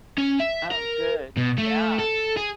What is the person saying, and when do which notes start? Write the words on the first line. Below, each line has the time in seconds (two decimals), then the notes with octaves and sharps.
Oh, good. Yeah.
0.18 C#4
0.40 E5
0.71 A#4
1.37 B2
1.58 A3
1.99 A4
2.37 G#4